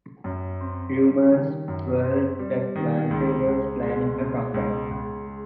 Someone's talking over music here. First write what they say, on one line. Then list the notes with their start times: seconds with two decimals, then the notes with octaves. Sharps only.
Rumours swirled that Plante was planning a comeback.
0.24 F#2
0.61 C4
0.96 G3
1.32 D#3
1.68 F#2
2.03 C4
2.39 G3
2.76 D#3
3.11 C#2
3.47 C#2
3.83 G#3
4.19 B2
4.54 C#2
4.91 C#2
5.26 G#3